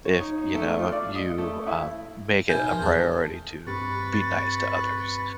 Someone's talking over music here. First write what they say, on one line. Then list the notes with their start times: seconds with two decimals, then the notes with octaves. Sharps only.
if, you know, you, um, make it a priority to be nice to others.
0.05 C#5
0.20 D#4
0.38 D#4
0.54 A3
0.79 F4
0.92 D5
1.15 D#5
1.38 A3
1.67 E4
2.49 B2 D#4 E4 G#5 G6
2.67 F3 A#4
2.82 E2 A3 G#4 A5
3.67 G2 C4 G4 B4 B5 C#6 A6